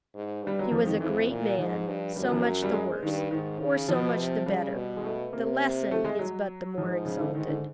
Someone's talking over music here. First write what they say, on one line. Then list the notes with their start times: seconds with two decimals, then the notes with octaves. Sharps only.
He was a great man; so much the worse, or so much the better; the lesson is but the more exalted.
0.14 G#2
0.43 G2 G3
0.59 F#3
0.71 F2 F3
0.86 D#3
1.00 F2 E3
1.29 A#2
1.58 G#2 F3
1.87 G2
2.16 F#2 G3
2.24 F#3
2.32 F3
2.40 F#3
2.62 G3
2.73 G#3
3.03 G2 D#3
3.31 G#2 D#3
3.60 C#3
3.89 B2 F3
4.18 C3
4.46 C#3 G3
4.75 B2
4.97 G#3
5.04 A3
5.33 C3 A#3
5.91 A3
6.05 G#3
6.19 F#3
6.78 G#2 F3
7.05 C#3
7.20 D3
7.34 G#2 D#3
7.49 D3